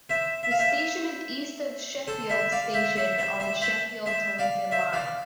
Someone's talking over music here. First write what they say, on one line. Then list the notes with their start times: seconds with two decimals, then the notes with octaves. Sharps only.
The station is east of Sheffield station on the Sheffield to Lincoln Line.
0.10 C5 E5
0.43 E5
0.51 F5
0.59 C5 E5
2.08 A4 C5
2.30 C5 E5
2.52 D5 F5
2.74 C5 E5
2.96 C5 E5
3.18 C5 E5
3.40 C5 E5
3.61 C5 E5
4.06 C5 E5
4.39 D5 F5
4.71 C5 E5
4.93 D5 F5